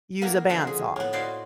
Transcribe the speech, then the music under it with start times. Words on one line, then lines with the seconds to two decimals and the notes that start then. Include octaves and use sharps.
use a band saw
0.22 A#3 B3 E4 A#4
0.49 D3 F3 F#4 A#4 C5 E5
0.67 G#4
0.96 A2 B3
1.13 E4 F#4 C5 D5 D#5 F5